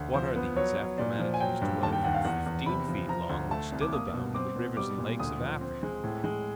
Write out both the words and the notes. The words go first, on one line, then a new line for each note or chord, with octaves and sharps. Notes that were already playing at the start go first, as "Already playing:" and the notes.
What are these, after manatees twelve and fifteen feet long, which still abound in the rivers and lakes of Africa?
Already playing: D2
F3 C5
B3
F#3 C#5
F#3
A#2 D5
F3
G#5
F#3 G5
G2
D#2 A5
G5
D#2 F#5
F5
E2 F#5
E2
C3 B5
F3
F3 A#5
D2
A3 A5
C2
D6
A#3 D#6
B2
C4 D6
B2
G3 D6
A#2
D2 D#6
F3
C4
G#3
A2
G#3